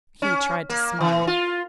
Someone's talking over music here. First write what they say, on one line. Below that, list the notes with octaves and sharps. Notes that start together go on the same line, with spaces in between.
He tried to smile.
C#4
A#3
E3
F4